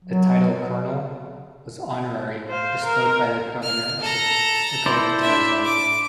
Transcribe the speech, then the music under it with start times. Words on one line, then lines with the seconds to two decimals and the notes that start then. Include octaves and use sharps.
The title "Colonel" was honorary, bestowed by the governor of the Dakota Territory.
0.05 F#3
2.49 C5 F5
2.84 A#4
3.63 F6
4.00 A4 A#5
4.86 E4 C5 D5
5.21 D4 E5
5.65 D6